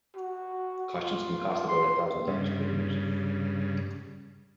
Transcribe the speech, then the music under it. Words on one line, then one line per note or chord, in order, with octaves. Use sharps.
Costumes can cost about a thousand dollars per unit.
F#4
F4
C6
G2 C#3